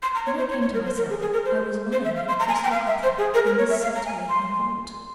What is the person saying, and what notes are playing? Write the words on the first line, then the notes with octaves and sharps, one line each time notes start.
'When I came to myself I was lying in a crystal coffin in this subterranean vault.
C6
A#5
C#5
C5
C#5
C#5
A#4
C5
A#4
G#4
G#4
A#4
C5
C5
E5
F5
C6
A#5
G#5
A#5
G5
F5
E5
C5
G#4
A#4
A#4
C#5
E5
F5
A#5
G#5
C6